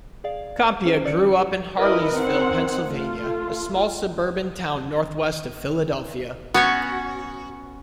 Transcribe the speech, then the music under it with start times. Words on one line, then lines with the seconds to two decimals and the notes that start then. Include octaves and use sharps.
Kampia grew up in Harleysville, Pennsylvania, a small suburban town northwest of Philadelphia.
0.24 G#4 D5 F5
0.86 C#4 G#4 C5
1.05 D5 C#7
1.76 C#4 E4 A#4 B4 D#5
2.16 D#3 C4 F#5
2.83 A3 F4
6.54 B3 C#4 F#4 C#5